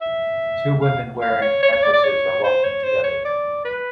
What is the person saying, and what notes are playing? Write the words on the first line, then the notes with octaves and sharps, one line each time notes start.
Two women wearing necklaces are walking together.
E5
F5
F5
C#5
C#5
C#5
D5
D5
C#5
C5
C#5
C5
C#5
D5
B4